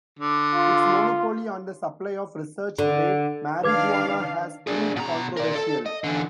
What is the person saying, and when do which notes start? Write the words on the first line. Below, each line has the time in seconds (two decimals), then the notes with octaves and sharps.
Its monopoly on the supply of research-grade marijuana has proved controversial.
0.19 D3
0.55 F4
2.78 D3
3.63 D#3 D4 B4 F5 D6 G#6
4.67 D4 G#4
4.96 B2 A#5
5.37 A#4 D5
5.56 A4
5.86 D#5
6.04 D3 E3